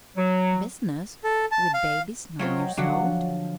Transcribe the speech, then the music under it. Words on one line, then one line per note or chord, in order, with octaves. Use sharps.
"Business!--with babies nine years old!"
F#3
A4
A5
F5
F#3 C#4 F4 C5 C#5 D#5 G5
D3 F3 F#3 D4 F#4 F#5